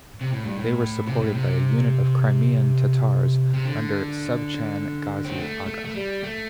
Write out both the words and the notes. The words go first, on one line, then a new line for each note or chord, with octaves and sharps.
They were supported by a unit of Crimean Tatars, under Subchan Ghazi Aga.
C3
A2
G2
A2
C3
A2
C3
C3
D3
C4
A3
A3
A3
G3
A3